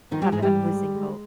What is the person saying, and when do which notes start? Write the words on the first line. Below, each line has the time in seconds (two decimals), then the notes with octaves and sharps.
have a I'm losing hope.
0.11 D#3 F3 D#4
0.22 G3 G4
0.32 G#2 G#3 G#4
0.42 G3 G4
0.52 G#2
0.73 G#3
0.94 G#3